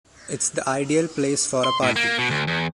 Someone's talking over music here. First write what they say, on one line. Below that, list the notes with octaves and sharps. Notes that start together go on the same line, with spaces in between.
It’s the ideal place for a party.
C6
A2
A#3
B2
D2
E2